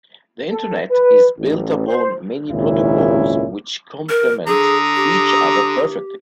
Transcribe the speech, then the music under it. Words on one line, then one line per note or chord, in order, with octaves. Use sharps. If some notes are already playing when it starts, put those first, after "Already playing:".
The internet is built upon many protocols which compliment each other perfectly.
A4
B4
A1
C5
G#1 C#2 A#2 D#3 C#4 E4
A#4
D3 G#4 A#5 D#6
G4